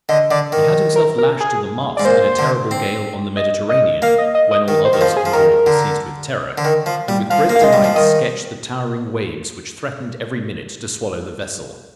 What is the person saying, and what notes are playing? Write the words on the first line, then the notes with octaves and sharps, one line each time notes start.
He had himself lashed to the mast in a terrible gale on the Mediterranean when all others on board were seized with terror, and with great delight sketched the towering waves which threatened every minute to swallow the vessel.
D3 D#5
D3 D5
D#3
A#4
A#4
G#4
G#2 D5
A#2 C5
D3
C4
D#5
D#5
A#3 F5
D#5
D#5
D#5
D#3
C5
D#3
F3 C5
G#4
F3
D#3 A#4
D3
D3
D#3
F3
G3
F3 F5
A#3
F5
G#3 D#5
G3
F3
D#3 D#5